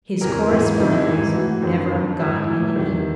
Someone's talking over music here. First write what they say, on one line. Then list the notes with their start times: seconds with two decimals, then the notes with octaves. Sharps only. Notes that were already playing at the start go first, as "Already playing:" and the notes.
His correspondence never got in a heap.
0.21 E2 C3 E3 A#4
0.49 G#2 E3 E4
0.64 E4
0.77 F2 C3 D#3 D#4
0.92 E4
1.06 G#2 E3
1.34 A2 E3 F#4
1.62 F#2 D#3
1.91 F2 D3
2.19 G#2 E3 E4
2.47 A2 E3
2.75 E2 C3 D#3